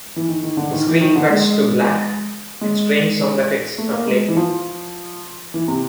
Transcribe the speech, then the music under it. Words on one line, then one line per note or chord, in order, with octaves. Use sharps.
The screen cuts to black and strange sound effects are played.
E3
D#3
D#3
D3
D#3
E3
D#3
D3
G#3
G#3
A3
A#3
G#3
E3
F3
E3
C3